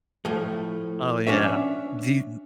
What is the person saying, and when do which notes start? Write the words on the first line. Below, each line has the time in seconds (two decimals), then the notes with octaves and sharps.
Oh, yeah, di
0.25 A2 F3 A3
1.27 C#4 D4 C#5 E5